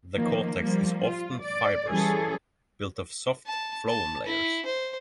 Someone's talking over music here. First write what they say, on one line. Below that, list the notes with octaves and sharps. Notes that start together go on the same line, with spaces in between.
The cortex is often fibrous, built of soft phloem layers.
D#3 F3 A#3
F3 G3 A#3
F4
D5
E3 G3 C#4 G#4 A4
A5
A5
E4
C5